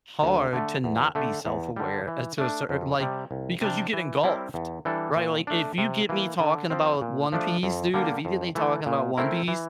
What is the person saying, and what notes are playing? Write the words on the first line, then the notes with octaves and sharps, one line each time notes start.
hard to not be self-aware, uh, to a certai like, because you get engulfed. Right? Like, if you get me talking about One Piece, dude, if you get me talking about One Piece,
D2
D3 A3
E2
D3 A3
E2
D3 G3
E3
A3 D4
F2
C3 G3
C2
C3 G3 D4
E3
G3 C4 E4 A#4
E2
E3 G3 D4 A4
A#2
A3 D4
C3
E3 A#3
D3
F3 C4
A#2
F3 A3 D4
F2
D3 G3 A#3
F2
E3 A3
A#2
A3 C4 E4 A#4
E3